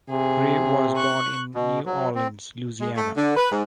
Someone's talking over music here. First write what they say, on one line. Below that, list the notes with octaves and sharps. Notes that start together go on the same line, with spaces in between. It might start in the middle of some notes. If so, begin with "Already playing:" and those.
Gray was born in New Orleans, Louisiana.
C3 G#4
C#6 F#6
B2
F#3
C4
G#3
A3
D3
B4
G#2